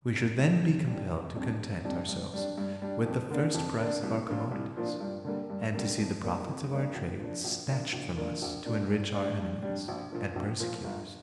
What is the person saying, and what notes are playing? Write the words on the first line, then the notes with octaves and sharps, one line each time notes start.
We should then be compelled to content ourselves with the first price of our commodities, and to see the profits of our trade snatched from us to enrich our enemies and persecutors.
F1
F2 D3 G3
F1
F2 D3 G3
F1
F2 C3 G3 D4
F1
F2 C3 G3 D4
G2
G3 D4
G2
G3 D4
F2
D3 A#3 D4
F2
D3 A#3 D4
C2
A#2 F3 A#3 D4
C2
A#2 F3 A#3 D4
G2
D3 G3 A#3
G2
D3 G3 A#3
F2
C3 G3 A#3 D4
F2
C3 G3 A#3 D4
A#1
A#2 F3 D4
A#1
A#2 F3 D4
A#1
A#2 A#3 D4
A#1
A#2 A#3 D4
G2
G3 D4
G2
G3 D4
A#1
A#2 F3
A#1
A#2 F3
G1